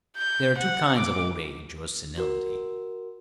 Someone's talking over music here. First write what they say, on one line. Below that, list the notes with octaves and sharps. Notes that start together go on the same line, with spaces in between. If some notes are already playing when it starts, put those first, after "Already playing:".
There are two kinds of old age or senility.
G6
F#5
D6
F#4 A#4